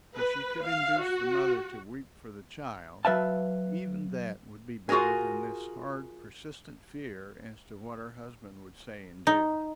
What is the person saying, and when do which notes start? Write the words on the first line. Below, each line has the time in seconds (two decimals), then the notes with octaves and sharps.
If she could induce the mother to weep for the child, even that would be better than this hard, persistent fear as to what her husband would say and do.
0.16 B4
0.65 F5
1.00 F#4
3.05 F#3 B4 E5 F5 A5
4.89 F4 F#4 G#4 A#4 G#5
9.27 D#4